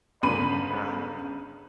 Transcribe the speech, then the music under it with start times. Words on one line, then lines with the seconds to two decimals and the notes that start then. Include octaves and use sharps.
Oh my god.
0.23 G1 C#3 B3 B5 D#7